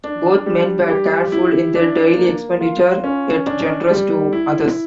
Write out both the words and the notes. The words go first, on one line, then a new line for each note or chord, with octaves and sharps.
Both men were careful in their daily expenditure, yet generous to others.
D4
G3
G4
E4
D4
A#3
F4
C#4
D4
G3
E4